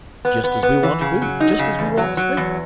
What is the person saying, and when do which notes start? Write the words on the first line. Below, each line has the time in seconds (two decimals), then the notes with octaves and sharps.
Just as we want food, just as we want sleep.
0.25 B3
0.44 B3
0.63 B3
0.83 E3
1.01 C#3
1.22 F#3
1.40 D#4
1.59 C#3
1.79 E2
1.97 F#3
2.17 F#3
2.37 E2